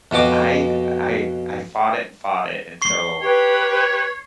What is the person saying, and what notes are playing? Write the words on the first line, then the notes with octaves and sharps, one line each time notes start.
I've I I fought it and fought it until
F2 B2 F#4 D6
C#6 C7 G7
G4 B4 C#5